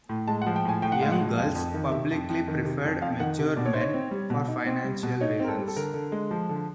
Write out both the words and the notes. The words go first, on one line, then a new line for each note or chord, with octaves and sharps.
Young girls publicly preferred mature men for financial reasons.
A2
G#3 A5
F#5
F3
G5
A2 G#5
A2 G5
F#5
G#3 F5
F#5
F3
F2 F5
F2
D#3
C3 E5
F2
F2
D#3
C3
F2
F2 F5
D#3 F#5
C3
B2 D5
C#5
D#4 C5
C#5
C4
G3
B2
D#4
C4
G3
B2
D#4 C#5
C4 A#4
A4
G3
A4
D3 A#4
D3
G#3
F3
D3